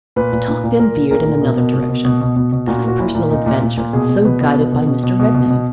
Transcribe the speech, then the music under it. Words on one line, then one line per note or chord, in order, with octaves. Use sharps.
The talk then veered in another direction--that of personal adventure, so guided by Mr. Redmain.
A#2 B4
A#2
A#2
A#2
A#2 A#4
A#2
A#2 A#4
A#2
B2
B2
B2
B2
B2
B2
B2
B2
A#2 F#4
A#2 F#4
A#2 E4
A#2
A#2 D#4
A#2
A#2
A#2
B2 G#4
B2
B2 B4
B2
B2
B2
B2
B2
B2
B2
B2